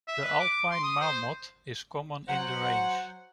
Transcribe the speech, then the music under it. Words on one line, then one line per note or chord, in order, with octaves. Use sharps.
The Alpine marmot is common in the range.
E5
B4
D6
C6
D#6
C5
F#3 C5 F#5